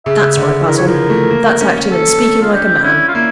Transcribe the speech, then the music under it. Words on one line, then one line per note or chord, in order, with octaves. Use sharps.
"That's right, Basil! that's acting and speaking like a man!"
C#3 E5
D3
E3 A#4
C#5
F3 A#4
A3
A#3
C#4
A4
F4
D4 G4
C#4 E4
F4
A#3 E4